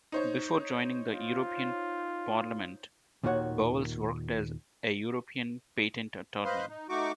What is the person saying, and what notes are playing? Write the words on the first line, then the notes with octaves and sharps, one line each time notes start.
Before joining the European Parliament Bowles worked as a European patent attorney.
D#4 C5 C#5
F4
D#2 A#2 D#3 F#4 C#5 F#5
B4 C5 D#5 F5 B5 C6
D#4
A3 D#4 F#4 C#6 D6